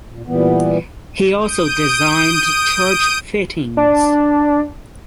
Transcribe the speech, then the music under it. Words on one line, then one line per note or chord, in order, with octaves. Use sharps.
He also designed church fittings.
A#2
A#2 E3 G3 B3
D#6 G6 D7 D#7
D4